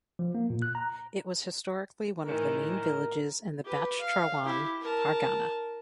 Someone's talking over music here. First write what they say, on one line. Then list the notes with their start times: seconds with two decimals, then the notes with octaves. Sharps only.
It was historically one of the main villages in the Bachhrawan pargana.
0.19 F3
0.35 A#3
0.50 A#2
0.62 F#6
0.75 A#5
2.25 A2 D#3 E3 A#4
3.65 G4 B4
3.99 F5
4.45 E4 G4
4.81 A#4 A5